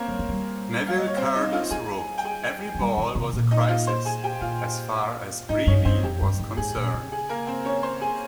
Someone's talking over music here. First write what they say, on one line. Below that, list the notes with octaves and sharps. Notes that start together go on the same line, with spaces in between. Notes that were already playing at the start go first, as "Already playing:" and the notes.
Neville Cardus wrote "Every ball was a crisis as far as Brealey was concerned".
Already playing: A#3 C4 C#4 A#4 C5 C#5
G3
G#3
G3
F5
D#5
C#5
C4 C5
D#4 D#5
F4 F5
G3 G#4 G#5
G5
G#4 G#5
G#3
G3
D#3
C3
A#2
D#4 D#5
F4 F5
C5 C6
G#4 G#5
G4 G5
A#2 F4 F5
G#2 D#4 D#5
G2 C#4 C#5
G2 C4 C5
F2 G4
G2
G#2
G#2 G#4
A#2
C#3
G#4
A#3 A#4
C4 C5
C#4 C#5
C5 C6
G#4 G#5